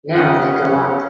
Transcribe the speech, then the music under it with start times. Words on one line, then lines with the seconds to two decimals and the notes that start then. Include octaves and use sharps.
Now they go up.
0.15 C#4 F#5 G5 D#6